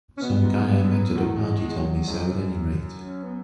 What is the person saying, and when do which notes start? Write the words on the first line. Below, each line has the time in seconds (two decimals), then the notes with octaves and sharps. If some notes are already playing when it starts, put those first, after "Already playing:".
Some guy I met at a party told me so at any rate.
0.18 C#4
0.22 B2 B3
0.44 G#2
0.52 F#2
0.84 F#2
1.15 E2 A3
1.40 F#3
1.46 G#3
1.70 G#3
1.77 F#3
2.08 F#2 G#3
3.01 C#4
3.23 B3